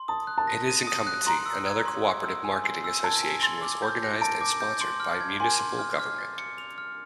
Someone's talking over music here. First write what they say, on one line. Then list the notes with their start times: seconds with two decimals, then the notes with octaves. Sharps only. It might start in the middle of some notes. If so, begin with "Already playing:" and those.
In his incumbency another cooperative marketing association was organized and sponsored by municipal government.
Already playing: C6
0.08 A5 D#6
0.27 F#6
0.38 A5
0.47 A#6
0.68 D#7
0.87 D#6
1.07 F#6
1.27 A#5 C6
1.46 E6
1.66 G#6
1.86 C6
2.06 C6
2.24 E6
2.45 G#5
2.64 C6
2.84 E6
3.04 A5 G#6
3.23 G#5
3.43 C6
3.62 D6
3.82 G6
4.03 A#6
4.21 A5 D7
4.41 D6
4.61 G6
4.81 C6
5.00 F6
5.21 G#6
5.40 G#5 C6
5.59 C6
5.79 F6
6.00 F6
6.18 A6
6.38 C#7
6.58 F7
6.78 F6